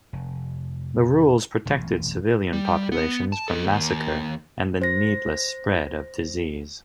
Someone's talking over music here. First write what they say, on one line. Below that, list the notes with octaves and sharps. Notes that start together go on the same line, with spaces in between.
The rules protected civilian populations from massacre and the needless spread of disease.
F1
E1 A1 F#2 C3
G3
B3
A5
A4 D#5
D#2
C5 A#6